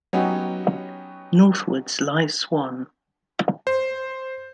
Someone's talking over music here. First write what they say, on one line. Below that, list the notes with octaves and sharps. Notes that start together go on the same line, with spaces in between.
Northwards lies Swann.
F#3 B3 C#4 D#4 F#4 G4
C5